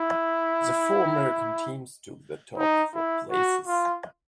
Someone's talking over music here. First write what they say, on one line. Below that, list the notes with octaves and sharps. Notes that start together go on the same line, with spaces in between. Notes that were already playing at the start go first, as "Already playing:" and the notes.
The four American teams took the top four places.
Already playing: E4
D#4
E4
F#4
F4